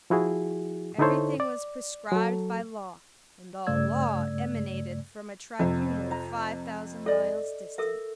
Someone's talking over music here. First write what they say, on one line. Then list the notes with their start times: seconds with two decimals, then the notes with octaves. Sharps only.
Every thing was prescribed by law, and all law emanated from a tribunal five thousand miles distant.
0.10 F3 E4 F#4 G#4
0.98 D3 D#4 E4 A4 C5 C#5
1.40 D5
2.12 F#3 A4
3.67 G2 C#3 A3 D5 E6 G#6
5.59 F2 C3
6.11 A#5
7.06 A4 D5 D#5
7.78 A4 A#4 E5